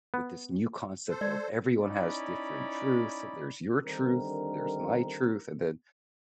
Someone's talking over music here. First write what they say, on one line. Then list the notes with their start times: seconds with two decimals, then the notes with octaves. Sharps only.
with this new concept of, "Everyone has different truths, there's your truth. There's my truth," and then,
0.14 B3
1.09 A4 C5
1.21 G#3 D5
1.79 C#4 D#4 E4 D5 B5
3.86 D3 D#3 G3 C4 D4 A#4